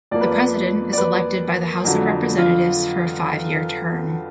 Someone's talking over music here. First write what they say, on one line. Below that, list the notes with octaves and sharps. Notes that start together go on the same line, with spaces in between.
The president is elected by the House of Representatives for a five-year term.
F2 F3 A#3 D5
B4
D5
D5
B4
F2 D3 F#3
F4